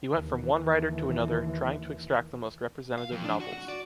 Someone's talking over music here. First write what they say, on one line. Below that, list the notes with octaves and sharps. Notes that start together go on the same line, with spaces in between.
He went from one writer to another, trying to extract the most representative novels.
D#2 E3
F5
F2
D4
F#4
F#4
D5